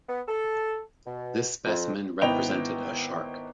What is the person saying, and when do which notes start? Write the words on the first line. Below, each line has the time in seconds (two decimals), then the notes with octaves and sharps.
This specimen represented a shark.
0.08 B3
0.28 A4
1.06 B2
1.65 F2
2.22 G#1 B3 E4 D#5 G5 F7